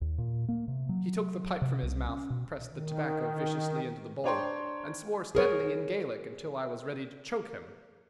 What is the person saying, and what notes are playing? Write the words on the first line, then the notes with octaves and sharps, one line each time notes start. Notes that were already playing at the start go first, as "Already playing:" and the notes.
He took the pipe from his mouth, pressed the tobacco viciously into the bowl, and swore steadily in Gaelic until I was ready to choke him.
D#2
A#2
A#3
C3
F#3
C3
C2
C#4
B2
D#3
D4 C5 C#5 G5 A#5 C6
G#4 A#4 C#5